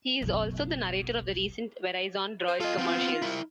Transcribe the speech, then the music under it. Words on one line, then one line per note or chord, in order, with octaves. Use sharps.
He is also the narrator of the recent Verizon Droid commercials.
F#1 B1
C5
F4 A4 D#5
B3 C4
E4 A#4